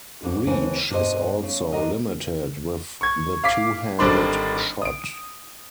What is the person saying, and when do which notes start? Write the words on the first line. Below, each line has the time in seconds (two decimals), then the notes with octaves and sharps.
Reach is also limited with the two-handed shot.
0.23 F2 D3
0.47 D#2 E3 B3 C4 A4 G#5
0.90 G2 B2 D4 C5 D#5
1.43 C#3
1.73 D2 A#4 D#5
3.01 C#6 G#6
3.44 F5 D6 B6 C7
3.99 G#1 D3 G3 D4 C5 C6
4.82 D#6 D7